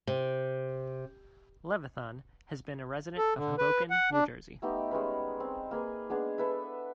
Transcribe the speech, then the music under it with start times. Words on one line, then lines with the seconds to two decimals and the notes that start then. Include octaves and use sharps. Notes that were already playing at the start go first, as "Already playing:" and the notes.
Levithan has been a resident of Hoboken, New Jersey.
0.07 C3
3.18 A4
3.36 D3
3.58 B4
3.90 F#5
4.12 D4
4.62 A3 B3 D#4 G4
4.91 G3 G#3 C#4 B4
5.40 C4
5.71 A#3 G#4 B4 G#5
6.09 G#3 B3 D4 G#4
6.38 A4 B4 E5